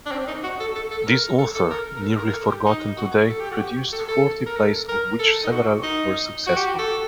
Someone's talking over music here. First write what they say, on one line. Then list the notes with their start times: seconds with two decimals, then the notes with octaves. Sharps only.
This author, nearly forgotten today, produced forty plays of which several were successful.
0.06 D4
0.12 C4
0.27 D#4
0.43 F#4
0.60 A4
0.75 A4
0.91 A4
1.07 A#4
1.38 A4
1.55 A4
1.70 A#4
1.96 A#4
2.02 A4
2.18 A#4
2.29 A#4
2.33 A4
2.50 G4
2.66 D#4
2.97 F#4
3.29 A4
3.40 G4
3.51 F#4
3.62 G4
3.92 A4
4.08 A4
4.46 A#4
4.56 A4
4.88 A#4
5.19 A4
5.44 D#4
5.52 F#4
5.83 D#4
6.47 F#4
6.56 G4
6.65 F#4
6.79 A4